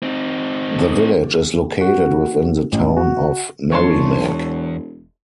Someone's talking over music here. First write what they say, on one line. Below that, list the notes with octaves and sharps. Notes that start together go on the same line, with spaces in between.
The village is located within the Town of Merrimac.
C4 D#4
F#4
A1
F#4
E1 E2 C#5 A5 C6